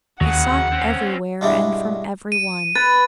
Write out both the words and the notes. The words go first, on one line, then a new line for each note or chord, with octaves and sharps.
He sought everywhere and from every one.
D#2 C#3 F#3 F#5
C4 C#4
G2 B2 G#3 D4 E4
D#7
B4 A6